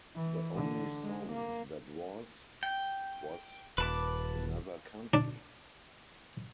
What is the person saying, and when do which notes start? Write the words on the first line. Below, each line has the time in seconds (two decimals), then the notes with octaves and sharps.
The only song that was was 'Another Country'.
0.15 E3
0.55 D3
1.04 G#3
1.32 A#3
2.63 G5
3.78 D#1 B4 A5 D6
5.14 D4